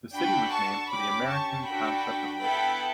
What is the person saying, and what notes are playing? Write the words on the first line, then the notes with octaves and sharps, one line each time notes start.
The city was named for the American concept of liberty.
D4 F#4 A4 G5 B5
A5 C#6
C#4 G4 B5 D6
A5 C#6
D4 F#4 A4 G5 B5
B3 E4 A4 G5 B5